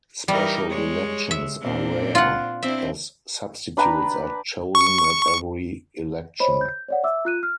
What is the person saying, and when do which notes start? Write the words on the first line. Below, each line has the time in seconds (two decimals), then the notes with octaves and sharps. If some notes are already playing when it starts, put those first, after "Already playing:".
Special elections are rare, as substitutes are chosen at every election.
0.28 E3 G3 D#4 A#4
0.70 G#3 C#5
1.31 E5
1.61 A#2 C4 D4
2.15 F4 F#5
2.63 C4 D4 E4 E5
3.77 D4 B4 G5 A#5
4.75 C#6
6.40 C5 C#5 D#5 B5
6.61 G6
6.89 C#5 D5 F#5
7.04 E5 D6 E6
7.25 F4 F#6 D#7
7.43 F6